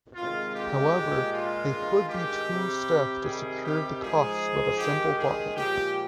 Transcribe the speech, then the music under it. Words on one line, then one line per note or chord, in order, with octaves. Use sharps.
However, they could be too stiff to secure the cuffs with a simple button.
C3 D#3 G#3 F4
G4
A#2 G#3
F4
G2 D#3 G#3
G4
C3 G3
C3 D#3 G3 G#4
G4
G#2 F3 G#3 G#4
G2 D#3 G#3 G4
G#4
A#2 F3 G#3 G4